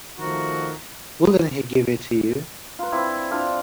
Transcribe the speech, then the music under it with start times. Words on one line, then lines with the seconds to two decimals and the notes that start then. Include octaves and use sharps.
Wouldn't he give it to you?
0.19 D#3 F3 A3 D#4 F#4 A#4
2.79 F4 B4
2.92 C4 E4 D5
3.31 D4 F4 F5